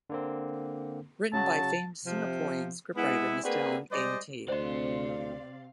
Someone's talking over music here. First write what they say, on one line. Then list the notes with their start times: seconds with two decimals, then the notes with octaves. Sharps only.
Written by famed Singaporean scriptwriter Mr. Ang Eng Tee.
0.10 D3 A#3 C4
1.33 C#3 F#3 F#4 A5
2.05 C3 F3
2.96 G#3 B3 E4
3.44 A#3 C4 D4 F#4 G#4 B4
3.91 G3 G#3 C5 D5 D#5
4.48 D2 C3 C4 C5 D5 D#5 F5 C6